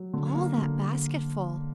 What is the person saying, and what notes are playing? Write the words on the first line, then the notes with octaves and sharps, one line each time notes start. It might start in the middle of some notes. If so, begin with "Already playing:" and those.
"All that basketful!"
Already playing: F#3
D3
A#3
D3